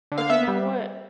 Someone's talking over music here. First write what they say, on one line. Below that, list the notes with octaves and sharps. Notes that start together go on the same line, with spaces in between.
But, you know what?
D3
F5
B3 E5
G3